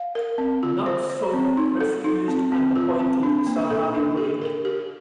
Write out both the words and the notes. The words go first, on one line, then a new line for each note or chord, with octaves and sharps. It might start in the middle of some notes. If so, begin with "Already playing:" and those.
Knutsford refused and appointed Sir Harry Blake.
Already playing: F5
A#4
C4
F4
C5
C5
C4
D#4
A4
D#4
C4
C4
F4
C4
D4
A#3
A4
D4
G4
A#4
G4